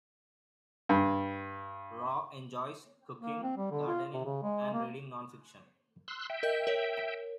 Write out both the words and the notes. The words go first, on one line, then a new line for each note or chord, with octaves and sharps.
Rau enjoys cooking, gardening and reading non-fiction.
G2
A#3
C4
G3
D3
F4
C3
C#3
G#3
A#3
C6 E6 F#6
E5 G5
A#4 D#5 G6
A#4 C#5